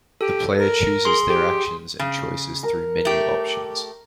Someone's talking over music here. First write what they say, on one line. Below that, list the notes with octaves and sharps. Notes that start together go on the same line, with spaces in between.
The player chooses their actions and choices through menu options.
G4 A4
A#4
G#4 C6
G4
C#3
A#4
A3 G4